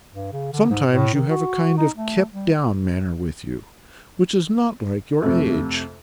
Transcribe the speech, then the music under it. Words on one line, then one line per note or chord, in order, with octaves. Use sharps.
Sometimes you have a kind of kept-down manner with you, which is not like your age.
G2
C#3
D3
G#2
A2
D#3
F#4
D#4
A3
G3
F2 C3 A3